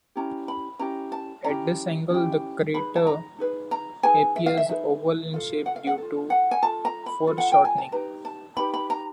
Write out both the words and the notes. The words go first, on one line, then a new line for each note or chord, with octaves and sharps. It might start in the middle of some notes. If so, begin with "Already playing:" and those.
At this angle the crater appears oval in shape due to foreshortening.
C#4 E4 G4 A#5
B5
C#4 E4 G4 A#5
A5
C#4 E4 G4 A#5
C#4 E4 G4
D#4 G#4 B4 B5
A5
A#5
D#4 G#4 B4
A#5
D#4 G#4 B4 G#5
E5
F5
E5
D#4 G#4 B4 E5
F4 A4 F5
F#5
F5
F#5
F4 A4
F#5
G#5
F4 A4 A5
A#5
B5
F4 A4
F#5
G5
G#5
A5
D#4 G4 B4 A#5
A5
D#4 G4 B4 B5
B5
A#5